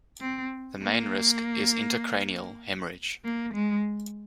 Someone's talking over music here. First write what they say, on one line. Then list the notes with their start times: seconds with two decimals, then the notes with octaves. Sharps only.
The main risk is intracranial hemorrhage.
0.20 C4
0.81 A#3
3.24 A#3
3.54 G#3